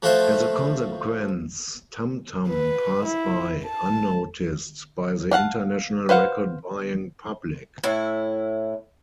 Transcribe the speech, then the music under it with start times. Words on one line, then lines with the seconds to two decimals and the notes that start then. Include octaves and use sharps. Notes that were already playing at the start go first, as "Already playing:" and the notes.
As a consequence, "Tam-Tam" passed by unnoticed by the international record-buying public.
0.02 F3 A3 F4 F#4 C5 E5
2.48 B4
3.05 E4
3.64 A5
5.31 D4 F5 F#5 A5
6.09 B4 C5 F5 F#5
7.84 A2 E4